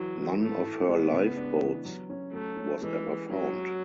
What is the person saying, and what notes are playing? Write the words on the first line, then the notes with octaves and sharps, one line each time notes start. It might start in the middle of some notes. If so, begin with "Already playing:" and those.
None of her lifeboats was ever found.
Already playing: E3 F#3
E3
A2 A3
A2
G#3 B3
C#3
D4
E3
F#3
C#4
F#3 A3
C#4
E3 G#3
G#4
F#3 C#4
C#4